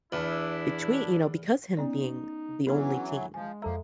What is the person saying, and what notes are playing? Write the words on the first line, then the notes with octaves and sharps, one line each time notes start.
between you know, because him being the only teen.
E2 D4 E4
B3 C#4 D#4 D5
E3 F#3 B3 C#4 D4 G#4
F3 G#3 G#5
F2 F3 A#3 A4 E5 A#5